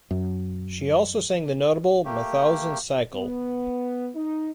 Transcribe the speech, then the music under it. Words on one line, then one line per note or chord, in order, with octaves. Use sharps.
She also sang the notable 'Mauthausen Cycle'.
F#2
A3 A#3 G4
B3
D#4